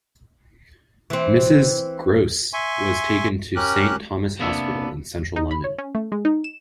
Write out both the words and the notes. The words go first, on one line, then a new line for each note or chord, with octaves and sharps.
Mrs Groce was taken to Saint Thomas' Hospital in central London.
E3 C4
E5 G#5 C6 C#6
C#4 G4 A#4 F#6
C3 A#3 B3 D4 E4 E5
D#4
B5
C#5
C#4
A3
G#3
D#4
E7